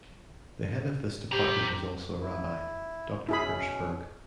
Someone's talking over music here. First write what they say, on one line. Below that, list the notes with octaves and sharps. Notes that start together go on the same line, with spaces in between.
The head of this Department is also a Rabbi, Doctor Hirschberg.
G4 C5 A#5
E4
B2 C#4 E4 G#4 B5